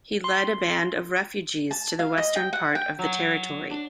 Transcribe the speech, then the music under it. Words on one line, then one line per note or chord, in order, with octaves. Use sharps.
He led a band of refugees to the western part of the territory.
C6
A5
F5
D#5
G5
F#5
G5
F#3
D4